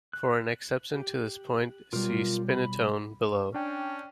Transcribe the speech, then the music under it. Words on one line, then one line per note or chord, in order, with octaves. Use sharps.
For an exception to this point, see "spinettone", below.
F#6
G4
B2 F#3 G3 F4 A#4
B5
C#4 D4 G5